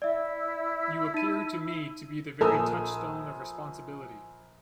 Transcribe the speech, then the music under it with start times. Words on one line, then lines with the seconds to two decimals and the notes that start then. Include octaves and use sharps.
You appear to me to be the very touchstone of responsibility.
0.02 E4 D5 E5 E6
1.14 D#4 D#7
2.41 A#1 A4 A#4 G#5 D#6 E6